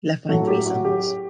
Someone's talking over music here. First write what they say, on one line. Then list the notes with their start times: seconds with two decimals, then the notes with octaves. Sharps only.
He left behind three sons.
0.29 A2 F#3 F#4 A4
0.47 G4
0.66 F#4
0.84 G4